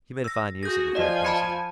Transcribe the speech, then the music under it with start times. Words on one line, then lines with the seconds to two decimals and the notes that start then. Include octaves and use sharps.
He made a fine use of the third person.
0.24 E6 A#6
0.63 F#4 G#4 G6 A#6
0.95 F3 D5 D#5 G#5
1.25 A5 B5 C#7